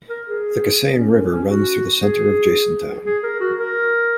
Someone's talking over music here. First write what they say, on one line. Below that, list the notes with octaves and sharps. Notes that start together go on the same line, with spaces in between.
The Kesang River runs through the center of Jasin Town.
A#4
G#4
C#4
C#4
C#4
F#4
G#4
G#4
A#4
F#4
A#4